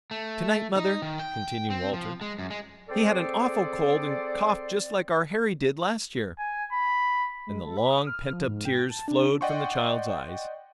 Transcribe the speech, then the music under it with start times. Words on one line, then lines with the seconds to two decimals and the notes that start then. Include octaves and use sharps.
"Tonight, Mother," continued Walter, "he had an awful cold and coughed just like our Harry did last year," and the long pent up tears flowed from the child's eyes.
0.11 A3
0.77 D#4
1.02 D#3
1.19 G5
1.70 C4
1.93 F3
2.21 G#3
2.39 F#2
2.50 G#3
2.89 C4 G#4 A4 C5 D5
6.39 G#5
6.72 B5
7.47 G#3
7.65 A4
7.77 B5
7.91 D#6
8.07 F6
8.33 F3
8.47 G#2
8.65 G5
8.90 A5
9.08 D4
9.41 D5 D#5 F#5 G5 C6 C#6